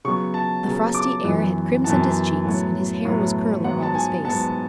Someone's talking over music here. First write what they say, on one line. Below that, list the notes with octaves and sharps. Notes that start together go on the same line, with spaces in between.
The frosty air had crimsoned his cheeks and his hair was curling round his face.
C#3 F#3 B3 C#6
A5
C#3 F#3 B3
D6
F#2 E3 B3
F#2 E3 B3 A5
A2 F#3 B3
A2 F#3 B3
G#2 F#3 B3 F#5
A5
G#5
G#2 F#3 B3 A5